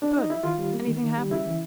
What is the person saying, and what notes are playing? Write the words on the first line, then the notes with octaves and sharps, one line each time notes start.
Good. Anything happened?'
D4
D#4
E4
D#3 F4
G3
A#3
D#3
D#3
G3
C#3 E4
E3